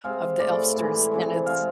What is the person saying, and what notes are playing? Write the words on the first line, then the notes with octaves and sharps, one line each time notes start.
of the Elfsters and it's
C3 G#3 F5
A2 G#3 D5
A2 E3 G#3
C3 E3 G#3
C3 G#3 F5